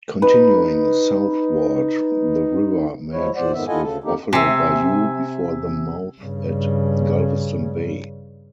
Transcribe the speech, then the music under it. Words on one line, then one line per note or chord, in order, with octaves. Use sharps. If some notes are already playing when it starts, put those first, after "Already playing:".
Continuing southward, the river merges with Buffalo Bayou before the mouth at Galveston Bay.
D#4 B4
F3 G#3 E4 C#5
A#2 C5 D5 F#5
F2 G#2 D#3 B3 E5
E4 F4 A4 D#5 F#5 G#5
D2 C#3 A4
D3 D#3 A#3 D#4 G4
C3 E5 G#5
G2 C#3